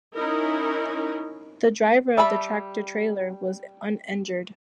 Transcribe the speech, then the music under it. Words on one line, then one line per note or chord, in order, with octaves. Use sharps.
The driver of the tractor trailer was uninjured.
C#4 D#4 E4 A#4
G3 E5 A5 B5